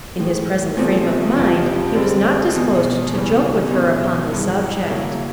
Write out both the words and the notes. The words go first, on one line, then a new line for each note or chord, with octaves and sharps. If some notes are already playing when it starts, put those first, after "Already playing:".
In his present frame of mind he was not disposed to joke with her upon the subject.
A2 E3 G#3
E2 C3 F3 A3 C4
F2 C3 F3
D3 G3 C4
E2 B2 G#3
E2 C#3 E3 G3
B2 G#3 C#4
G2 E3 G#3
C#3 F#3 A#3 C#4 E4